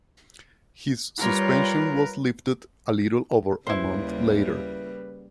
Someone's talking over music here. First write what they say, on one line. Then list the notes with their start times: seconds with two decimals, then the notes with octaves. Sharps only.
His suspension was lifted a little over a month later.
1.18 G3 F4 A#4 B4 C#5
3.67 D#2 C#3 G3 A#3 E4 B4 C5